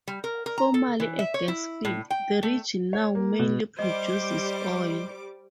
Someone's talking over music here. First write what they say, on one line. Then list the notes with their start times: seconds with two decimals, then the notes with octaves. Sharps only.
Formerly a gas field, the region now mainly produces oil.
0.08 G3
0.24 A#4
0.46 A#4
0.58 A#5
0.74 A4
1.00 E3
1.19 E5
1.34 C#5
1.48 E4
1.85 A2
2.10 G5
2.43 A3
2.93 C#5
3.15 A#3
3.39 B2
3.79 G3 C5 D#5 D6